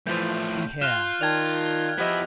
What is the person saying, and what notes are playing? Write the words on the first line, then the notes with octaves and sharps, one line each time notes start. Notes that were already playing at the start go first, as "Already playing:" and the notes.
He had.
A2 E3 F3 F4 G6
F4 F6 F#6 E7 G7
D#3 D5 G5 A5 G#6 F7
F3 B3 E4 G4 D#5